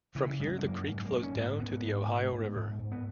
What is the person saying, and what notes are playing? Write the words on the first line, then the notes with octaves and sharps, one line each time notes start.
From here the creek flows down to the Ohio River.
C#3 E3
F#2 G#3
G#3
F#2 A#3
G#2
A#3
G#2
C#4
G#2
B3
A#3
G#2 B3
G#2
G#2
G#2
G#2
G#2
B3